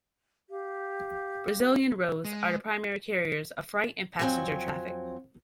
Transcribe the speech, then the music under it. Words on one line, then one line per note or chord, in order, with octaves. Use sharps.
Brazilian roads are the primary carriers of freight and passenger traffic.
G4 F5
G#3
F2 F#3 C4 G#4 G5 G#5